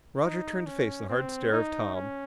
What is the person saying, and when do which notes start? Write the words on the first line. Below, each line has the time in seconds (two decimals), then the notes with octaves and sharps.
Roger turned to face the hard stare of Tom.
0.23 D#4
0.66 C#4
1.09 C4
1.52 D#4
1.94 C#4